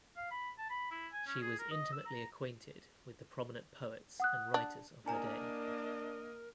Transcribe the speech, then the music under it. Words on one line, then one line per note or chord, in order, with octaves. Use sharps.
She was intimately acquainted with the prominent poets and writers of her day.
F5
B5
A5
B5
E4
G#5
C#4
G#4
A#4
D#5
E6
A#5
F#5 D#6 F#6
D4
A#3 D4 E4 A#4 D#5 G#5 A#5